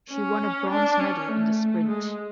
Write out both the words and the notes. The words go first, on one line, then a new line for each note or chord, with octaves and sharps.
She won a bronze medal in the sprint.
C#4
D4
C#4
A3
G#3